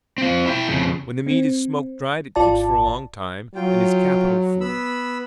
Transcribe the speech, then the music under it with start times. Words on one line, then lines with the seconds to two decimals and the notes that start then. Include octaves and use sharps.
When the meat is smoke-dried it keeps for a long time, and is capital food.
0.18 C4 F4
0.46 E4 G5
0.68 F2 C#3
1.26 C4
2.36 G#1 F4 D5 A5
3.55 F#3 F4 G5
4.61 B3 B5 E6